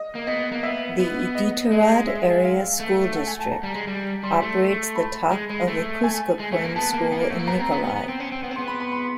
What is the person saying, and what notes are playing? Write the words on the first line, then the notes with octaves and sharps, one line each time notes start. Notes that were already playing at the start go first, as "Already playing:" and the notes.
The Iditarod Area School District operates the Top of the Kuskokwim School in Nikolai.
Already playing: D#5
A#3
B3 D#5
A#3
B3 E5
B3
D#5
G#3
E5
F5
A3
F#5
G#5
A5
A#5
G3
G#3
G3
G3 C6
A3
B5
G#3
G#3
A3
G#5
G#3
A3
A#3
B3 A5
A#3
B3
A#3
A3
A#3
B3 A#5
C4
B3
B3
B3
C4
C#4
C4
B3
C4
B3 C6
B5
B5
C6